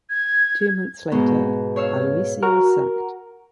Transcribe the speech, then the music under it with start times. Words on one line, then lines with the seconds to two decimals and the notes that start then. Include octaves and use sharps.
Two months later Aloisi was sacked.
0.10 G#6
1.11 G#2 B2 B3
1.76 C#5 F5 E6
2.43 F#4 A#4